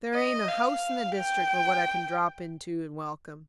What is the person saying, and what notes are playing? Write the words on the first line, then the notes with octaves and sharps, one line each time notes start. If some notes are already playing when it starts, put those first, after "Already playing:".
There ain't a house in the district but what I can drop into and welcome.
D#5
F5
G5